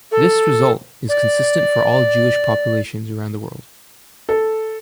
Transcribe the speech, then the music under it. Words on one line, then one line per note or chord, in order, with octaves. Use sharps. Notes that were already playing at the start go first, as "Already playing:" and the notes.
This result is consistent for all Jewish populations around the world.
A4
D5
A4